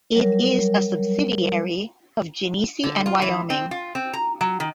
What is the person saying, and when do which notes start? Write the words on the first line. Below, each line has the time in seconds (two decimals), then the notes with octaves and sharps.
It is a subsidiary of Genesee and Wyoming.
0.15 F#3 G3 A#4 C#5
2.84 D3
3.06 F4
3.22 E3
3.50 C4
3.71 F4
3.95 C4
4.13 A#5
4.41 F#3
4.60 D#3